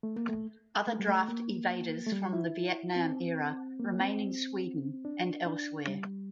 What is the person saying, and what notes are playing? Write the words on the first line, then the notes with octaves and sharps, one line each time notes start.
Other draft evaders from the Vietnam era remain in Sweden and elsewhere.
A3
A#3
A3
A3
G3
A3
A#3
A3
G3
E4
C4
A#3
C4
D4
D4
G3